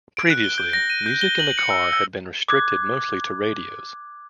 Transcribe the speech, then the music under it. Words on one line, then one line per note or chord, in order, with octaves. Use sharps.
Previously, music in the car had been restricted mostly to radios.
D7
F#6
G7
G6
A#6
D#7
G6
G7
F#7
C#7
E6
E6
D6 D#6 F#6 G#6